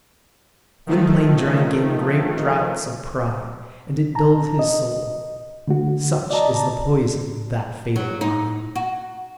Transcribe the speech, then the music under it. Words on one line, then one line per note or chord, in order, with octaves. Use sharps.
Gwynplaine drank in great draughts of pride, and it dulled his soul. Such is the poison of that fatal wine.
D#3 F3 A3
A5 A#5
D#5
D3 A3 F#4
D5 D#5 A5 A#5
C#3 D5 A5 A#5
F#3
D#4
F#4